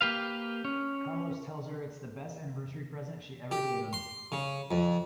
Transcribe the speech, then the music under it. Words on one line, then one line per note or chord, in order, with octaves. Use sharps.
Carlos tells her it's the best anniversary present she ever gave him.
A#3 G4 B4 F5
C#4
G4
C6
C#3
F2